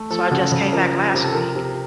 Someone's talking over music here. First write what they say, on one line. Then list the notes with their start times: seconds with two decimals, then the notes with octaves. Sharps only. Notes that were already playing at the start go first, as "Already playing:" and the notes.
So I just came back last week,
Already playing: A3
0.10 F3 A4
0.31 C#3 F#4
0.52 C#3
0.72 F3 A#4
0.93 F3
1.14 C3
1.24 A4
1.34 F3 A#4
1.55 C3